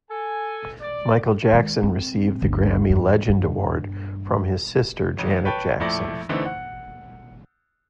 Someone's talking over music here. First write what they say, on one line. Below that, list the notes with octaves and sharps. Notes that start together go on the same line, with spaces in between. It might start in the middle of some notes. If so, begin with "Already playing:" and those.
Michael Jackson received the Grammy Legend Award from his sister Janet Jackson.
A4 G#5
D5
D#3 G#3
C4
G1 D2
E2 G2
G2
A1
B4 C#5 G5 A5
A#1 F2 A3 E4 D5 A#6
D3 E3 A3 C4 D#4
F#5